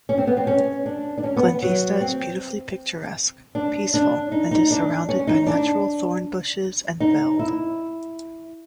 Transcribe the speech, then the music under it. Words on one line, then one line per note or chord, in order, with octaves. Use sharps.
Glenvista is beautifully picturesque, peaceful and is surrounded by natural thorn bushes and veld.
C#4
C4
B3
C4
C#4
D4
D4
C#4
B3
F#3
C4
D4
D4
D#4
D#4
D4
C#4
D#4
D4
D#4
E4